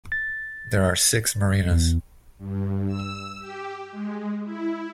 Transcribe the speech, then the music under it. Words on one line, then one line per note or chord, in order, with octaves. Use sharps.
There are six marinas.
A6
E2
G2
E6
G4
G#3
E4